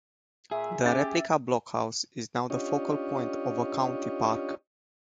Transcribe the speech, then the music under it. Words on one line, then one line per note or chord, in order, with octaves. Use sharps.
The replica blockhouse is now the focal point of a county park.
A#2 G#4 E5
C#4 G4 A6
C#4 D4 F4 G4 C#5 D#5